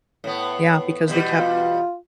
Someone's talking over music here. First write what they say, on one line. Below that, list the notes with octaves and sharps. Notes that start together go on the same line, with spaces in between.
Yeah, because they kept
A2 B3
E2 B2 G3
F4